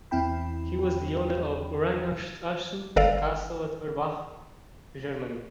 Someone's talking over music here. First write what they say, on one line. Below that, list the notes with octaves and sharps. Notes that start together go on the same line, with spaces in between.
He was the owner of Reinhartshausen Castle at Erbach, Germany.
E2 C4 E4 G5 B5
G1 A4 A#4 D5 F5